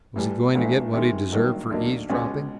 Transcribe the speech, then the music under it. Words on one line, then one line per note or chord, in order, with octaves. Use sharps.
Was he going to get what he deserved for eavesdropping?
A2 E3 G3
A#1 G#2 E3 A3
C3 D#3 G#3
G#1 G2 D#3 F#3 A#3
D2 D3 F#3 A#3 D#4
C#2 B2 G#3 C#4